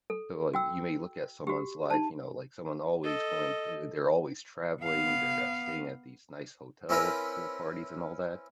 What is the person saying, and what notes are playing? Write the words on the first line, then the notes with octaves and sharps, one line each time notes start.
So, like, you may look at someone's life, you know, like, someone always going to they're always traveling, they're, uh, staying at these nice hotels, pool parties, and all that,
A4
F#4 G5 E6
F#4 G4
D#4 A5
A4 D#5
B3 F5
C4 C#4 E4 A#4 B4